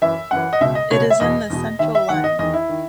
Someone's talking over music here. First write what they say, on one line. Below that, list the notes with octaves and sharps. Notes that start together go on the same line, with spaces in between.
It is in the central line.
F#2 E3 E5
F#2 E3 F#5
D#5
C#2 B2 E5
D#5
C#2 B2 C#5
E5
E2 B2 D#5
E2 B2
D#2 D#3 E5
E5
D#2 D#3 F#5
D#5
E2 D#3 D#5
E4
D#3